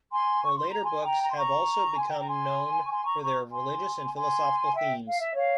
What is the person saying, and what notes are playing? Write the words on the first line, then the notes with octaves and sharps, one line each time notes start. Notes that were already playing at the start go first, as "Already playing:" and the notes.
Her later books have also become known for their religious and philosophical themes.
G#5 C6
C#6
C6
A#5
G#5 C6
G5 A#5
A#5
C6
A#5 C#6
G#5 C6
G5 A#5
G5 A#5
G#5 C6
C#6
G#5 C6
A#5 C#6
A#5 C#6
G#5 C6
G#5 C6
E5 G5
F5
E5
C#5 F5